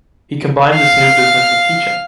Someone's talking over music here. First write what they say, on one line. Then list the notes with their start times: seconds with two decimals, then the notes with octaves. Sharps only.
He combined this new business with teaching.
0.75 F5